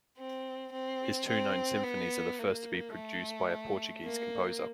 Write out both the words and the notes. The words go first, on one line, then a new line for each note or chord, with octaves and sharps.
His two known symphonies are the first to be produced by a Portuguese composer.
C4
C4
C4
B3
A#3
A3
A#3